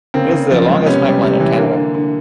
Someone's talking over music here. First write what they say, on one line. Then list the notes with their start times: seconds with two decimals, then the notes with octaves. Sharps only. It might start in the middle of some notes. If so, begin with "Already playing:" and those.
It is the longest pipeline in Canada.
0.14 C#3 A#3 C4
0.32 C#3
0.51 F3
0.68 G#3
0.86 C3 B3 C#4
1.04 G3
1.22 C3
1.40 E3
1.58 D3 A#3
1.76 D3
1.94 D3